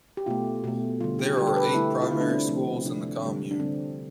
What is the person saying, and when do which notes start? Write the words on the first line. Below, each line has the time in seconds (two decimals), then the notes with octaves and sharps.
There are eight primary schools in the commune.
0.17 G4
0.26 B2 A3 F4
0.64 B2 A3
1.01 D3 G3 F4
1.19 G4
1.37 D3 G4
1.41 G3
1.47 A4
1.57 B4
1.65 A4
1.74 D3 A3 E4
2.02 F4
2.11 D3 E4
2.16 A3
2.21 D4
2.30 C4
2.48 C3 F3 A3 C4
2.85 C3 F3 A3 D4
3.22 D3 G3
3.51 D4
3.59 D3 G3 C4